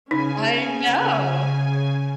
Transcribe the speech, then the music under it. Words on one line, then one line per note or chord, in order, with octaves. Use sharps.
I know!
C#3 C#4 D#4 G#5